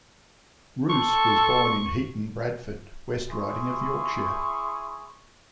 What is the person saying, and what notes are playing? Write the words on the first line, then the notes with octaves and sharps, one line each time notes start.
Rouse was born in Heaton, Bradford, West Riding of Yorkshire.
A4 C#6
E4 G#4 C6 C#6